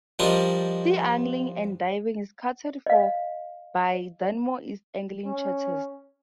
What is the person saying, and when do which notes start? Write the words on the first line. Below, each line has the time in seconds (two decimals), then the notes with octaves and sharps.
Sea angling and Diving is catered for by Dunmore East Angling Charters.
0.19 F3 G3 D4 A#4 D#5
2.86 D#5 F5
5.26 C#4